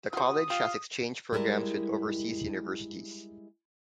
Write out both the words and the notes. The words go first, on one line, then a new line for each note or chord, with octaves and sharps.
The College has exchange programs with overseas universities.
F4 F#4 C5 D#6
F4 G4
G3 G#3 E4 A#4 A5